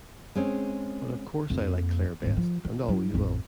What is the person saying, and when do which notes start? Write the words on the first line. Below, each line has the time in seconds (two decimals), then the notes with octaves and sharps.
But of course I like Claire best and always will.
0.35 G#3 C4 C#4
1.50 F2 A#3
2.22 G#1 G2
2.37 F3
2.65 E3
2.88 F#3 E4
3.14 A1 F2